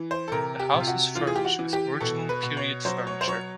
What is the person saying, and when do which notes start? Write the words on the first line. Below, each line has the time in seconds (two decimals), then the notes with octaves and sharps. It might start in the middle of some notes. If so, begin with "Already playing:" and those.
The house is furnished with original period furniture.
Already playing: E3
0.11 C5
0.28 A4
0.32 C3 A#4
0.60 G4
0.74 C3
0.80 F4
0.87 F#4
1.15 E3 F4
1.27 G#4
1.36 G4
1.45 F#4
1.59 E3
1.73 G4
2.00 B2 A4
2.29 B4
2.43 B2
2.57 C#5
2.85 F#3 C5
3.07 C#5
3.21 C5
3.28 F#3 C#5